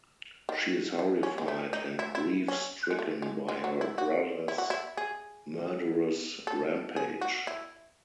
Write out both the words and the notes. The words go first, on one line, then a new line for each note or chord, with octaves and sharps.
She is horrified and grief-stricken by her brothers' murderous rampage.
D#3
E3
C#4
G#3
A3
D#4
E4
E4
C#4
G#3
A3
G#3
G#3
F#3
E4
F#4
E4
F#4
E4
G#4
A4
G#4
F#4
E4